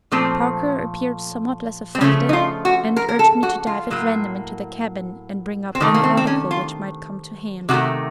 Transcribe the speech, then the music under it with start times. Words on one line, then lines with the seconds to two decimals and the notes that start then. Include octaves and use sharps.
Parker appeared somewhat less affected, and urged me to dive at random into the cabin, and bring up any article which might come to hand.
0.11 A#2 F3 A3 C4
1.95 C4
2.01 C#3 F3 A3 C#4
2.29 D#4
2.33 F4
2.65 F#4
2.96 A#4
3.09 A#4
3.19 A4
3.43 F#4
3.67 F4
3.91 A2 F#3 A#3
5.75 C4
5.80 C3 D#3 A3 A#3
5.94 A#3
6.03 C4
6.17 C4
6.27 C#4
6.51 F4
7.69 C3 D#3 A3 F#4